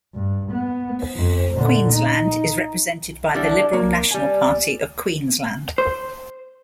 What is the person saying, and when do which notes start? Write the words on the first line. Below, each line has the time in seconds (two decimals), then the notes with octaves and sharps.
Queensland is represented by the Liberal National Party of Queensland.
0.14 G2
0.51 B3
1.16 F2
1.54 A#2 D3
1.93 D#4
3.34 D3 F#3 G3 D4 E4 A4
3.73 A#3
4.11 G3 G#5
5.78 C5